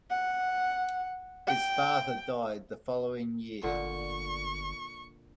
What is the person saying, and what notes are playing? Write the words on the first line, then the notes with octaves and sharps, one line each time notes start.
His father died the following year.
F#5
G5
G1 A#2 D3 C#6